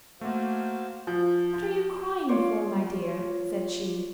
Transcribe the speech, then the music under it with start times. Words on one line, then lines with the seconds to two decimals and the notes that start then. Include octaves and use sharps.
'What are you crying for, my dear?' said she.
0.21 A3 A#3 F#4 C5 F5
1.07 F3
2.29 F4 C#5 D5